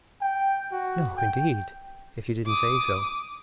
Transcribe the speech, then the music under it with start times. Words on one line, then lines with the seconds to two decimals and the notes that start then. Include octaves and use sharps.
"No, indeed, if you didn't say so."
0.21 G5
0.72 F#4
1.17 G5
2.46 D6 D#6